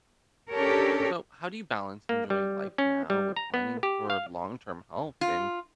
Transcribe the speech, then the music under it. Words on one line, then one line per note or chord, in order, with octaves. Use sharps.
So, how do you balance enjoying life now with planning for long-term help in
C#4 D4 G4 A4 A#4 C#5
A#3
G3
C#4
G3
A#5
B3
G4
F5
F4